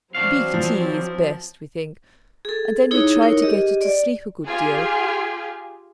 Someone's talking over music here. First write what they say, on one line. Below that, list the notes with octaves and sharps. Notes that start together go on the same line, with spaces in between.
Beef-tea is best, we think; and then we try to get her to sleep a good deal.
E3 F#3 C4 D4 F#4 F5
F3
G#4 A4
D#4 E4 G#4 C#5
D#4 E4 A#4 C#5
G4 G#4 D#5
D5
F4 G4 G#4 G#5